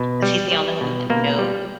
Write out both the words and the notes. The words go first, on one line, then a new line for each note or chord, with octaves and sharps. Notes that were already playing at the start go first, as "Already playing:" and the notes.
'cause he's the only one that knows,
Already playing: B2
G3
G3
B2
B2 A#3
G3